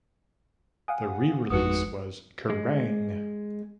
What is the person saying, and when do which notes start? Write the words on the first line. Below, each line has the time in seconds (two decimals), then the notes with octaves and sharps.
The re-release was Kerrang!
0.88 F5 F#5 G#5 D#6
1.50 G#1 F2 G#3 D#4 F#4 B4 D#6 C#7
2.50 G#3